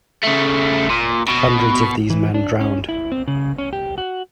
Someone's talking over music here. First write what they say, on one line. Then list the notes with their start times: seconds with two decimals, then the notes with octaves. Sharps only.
Hundreds of these men drowned.
0.23 C#3 A3
0.90 A#2
1.29 B2
2.10 E3
2.34 D4
2.61 C#4
2.89 E4
3.12 C4
3.28 C#3
3.58 C#4
3.73 G4
3.98 F#4